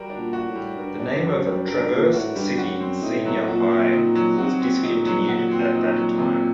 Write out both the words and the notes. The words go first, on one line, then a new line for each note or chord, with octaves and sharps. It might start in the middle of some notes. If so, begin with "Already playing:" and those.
The name of Traverse City Senior High was discontinued at that time.
Already playing: G3 F#4 A#4
D4
A#2
F#4
A2
G3
G2 A#4
D4
F#2 F#4
G3
G2 A#4
A#2 D4
A2 F#4
G2 G3
F#2 F#4
C4
A2 D#4
F#3
A#2 F#4
C4
D#4
F#3
C3 F#4
C4
A#2 D#4
F#3
F#4
C4
D#4
F#3
C3